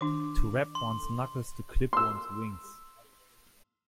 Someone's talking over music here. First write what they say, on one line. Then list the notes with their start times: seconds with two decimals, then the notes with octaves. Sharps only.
To rap one's knuckles to clip one's wings.
0.01 D#3 D4 D6
0.75 C6
1.93 C6 E6